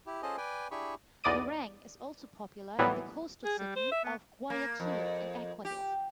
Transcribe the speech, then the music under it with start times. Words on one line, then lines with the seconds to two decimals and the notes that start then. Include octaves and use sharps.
Merengue is also popular in the coastal city of Guayaquil in Ecuador.
0.06 E4 G4
0.23 C#4 F4 G#4 A4 C5 D#5
0.37 B4 D5 G5 G#5
0.71 D4 E4 G4 G#4 B5 C#6
1.24 B1 E2 D5 D#5 D#7
2.78 D#2 A2 E3 F#3 G3 B3
3.45 G#4
3.59 G3
3.76 C5
3.92 E5
4.05 B3
4.50 A#3
4.80 F2
5.65 G4